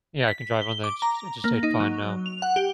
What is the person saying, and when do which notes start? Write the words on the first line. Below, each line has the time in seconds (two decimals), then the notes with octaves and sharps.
Yeah, I can drive on the insters interstate fine now.
0.28 B6
0.62 G7
0.84 D6
1.02 A#5
1.44 A#3
1.63 D#4
1.80 F#3
2.26 F7
2.42 F#5
2.56 G4